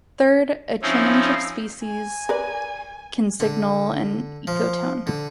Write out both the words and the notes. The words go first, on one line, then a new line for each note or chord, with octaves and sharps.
Third, a change of species can signal an ecotone.
F3 C4 C#4 D#4 E4
G#5
A#4 B4 D5
D3
F3
D3